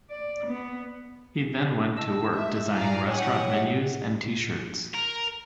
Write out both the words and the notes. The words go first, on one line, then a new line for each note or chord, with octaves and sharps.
He then went to work designing restaurant menus and t-shirts.
D5
B3
D#5 A5 E6
G#3 E5
A2 D5 F5 G#5 A#5
G4 C#5 F#5
E5
A#4